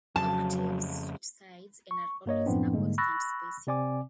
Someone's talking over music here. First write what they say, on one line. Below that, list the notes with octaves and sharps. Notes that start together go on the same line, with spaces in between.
Octaves switch sides and are always in a constant spacing.
F2 C#3 F#3 A5
C#6
G2 A#3 C#5 D#5
F#2 A2 F3 B3 C4 D4
G#2 D3 G3 G#3 A#3
B5 C#6 E6 F#6 A6 A#6
C3 C4 D5 G#5 D6